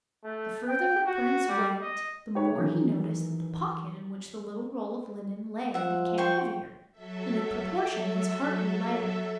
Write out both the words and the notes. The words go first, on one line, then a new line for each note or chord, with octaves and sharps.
The further the Prince went the more he noticed that the pocket in which the little roll of linen lay became heavier, and in proportion his heart grew lighter.
A3
G5
F#4
G3
D#5
D#4 G4 B4 C#5
D#3 E3 F#3 G#4
F3 E5 F#5
C5 G5 C#6
F#3 A4 E5